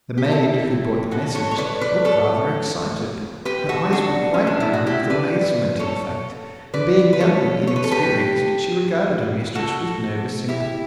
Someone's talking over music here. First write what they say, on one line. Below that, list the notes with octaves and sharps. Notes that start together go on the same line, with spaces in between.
The maid, who brought the message, looked rather excited; her eyes were quite round with amazement, in fact, and being young and inexperienced, she regarded her mistress with nervous sympathy.
G4
A4
E4 G4
F#4 A4
A4 C#5
C#5
B4 D5
B4 D5
A4 C#5
G4 B4
F#4 A4
D4 F#4
C#4
D4
E4
F#4
E4 G4
B4 D5
A4 C#5
B4 D5
B4
A4 C#5
C#5
B4
A4
G4 B4
F#4 A4
E4 G4